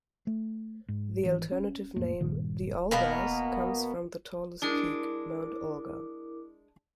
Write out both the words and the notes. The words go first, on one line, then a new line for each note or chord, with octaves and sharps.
The alternative name, "The Olgas", comes from the tallest peak, Mount Olga.
A3
G#2
G#1 E3
C#4
A1 F2 A3 A#3
G2 A#2 D#3
B2 A#3 B3 A#4
G#3 D4 E4 A#4 D6